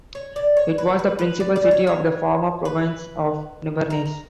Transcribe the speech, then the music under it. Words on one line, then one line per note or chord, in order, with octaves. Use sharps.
It was the principal city of the former province of Nivernais.
C#5
D5
C#5
B4
B4
B4
D5
D5
C#5
C#5
B4
A#4
A#4